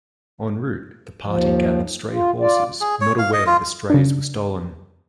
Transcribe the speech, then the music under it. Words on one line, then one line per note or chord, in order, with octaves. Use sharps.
En route the party gathered stray horses, not aware the strays were stolen.
D#2 F3
F4
F4 D5
G#4
C#5
F5
D#5
F4
C#3 D4